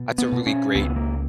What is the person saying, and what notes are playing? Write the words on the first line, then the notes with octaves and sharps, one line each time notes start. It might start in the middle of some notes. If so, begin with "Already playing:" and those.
That's a really great,
Already playing: B2
B3
B2
C#4
C#2 B3
B3
A#3